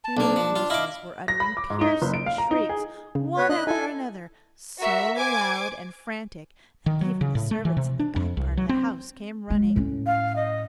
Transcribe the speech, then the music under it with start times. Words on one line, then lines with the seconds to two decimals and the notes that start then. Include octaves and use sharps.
Two voices were uttering piercing shrieks, one after another, so loud and frantic that even the servants in the back part of the house came running.
0.04 A5
0.17 B1 A#3 D4
0.36 F3
0.56 F4
0.70 E4 D#5 F5 D6
1.28 A#6
1.40 B5
1.57 D6
1.70 G#2
1.81 D#4
2.02 F#1
2.14 D7
2.26 F5
2.38 A#5
2.51 D#4
2.69 G#4
3.15 C#3
3.37 B3 B4 C#5
3.49 D4 D#5 F#6
3.67 D#4 E4 A4 G#5
4.80 F#4 A#4 E5
5.15 C5 G#5 D6 G#6
6.86 D#3
7.01 F#3
7.21 C#3
7.35 A2
7.51 A3
7.65 E3
7.77 C3
7.99 D4
8.16 F2
8.37 C2
8.57 F#3
8.69 C4
9.50 G#3
9.76 A2 C#4
10.06 F5
10.36 D#5